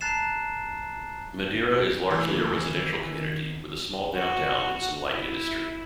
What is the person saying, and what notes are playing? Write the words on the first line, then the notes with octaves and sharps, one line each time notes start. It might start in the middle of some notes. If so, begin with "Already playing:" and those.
Madeira is largely a residential community, with a small downtown and some light industry.
A5 A#5 F#6 A6 C7 E7
C#3 E3 A3 A#3
D#3
F#4
E4